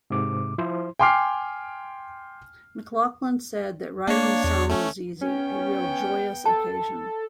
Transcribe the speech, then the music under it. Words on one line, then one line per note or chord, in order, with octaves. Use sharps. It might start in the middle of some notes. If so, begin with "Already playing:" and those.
McLachlan said that writing the song was easy, a real joyous occasion.
G#2 C3 D6
F3 E4 C5 C6
G5 G#5 C6 D6 F6 C7
A#3 D4 C#5
E2
A3 C#4
B3 C#4 G5
A4 A5